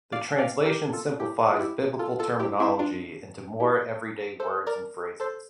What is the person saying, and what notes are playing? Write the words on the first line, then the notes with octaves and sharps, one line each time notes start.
The translation simplifies Biblical terminology into more everyday words and phrases.
D5 F5
D5 F5
G4 A#4
F4 A4
E4 G4
F4
E4 G4
F4 A4
F4 A4
E4 G4
C4 E4
D4 F4
E4 G4
A4 C5
A#4 D5
A4 C5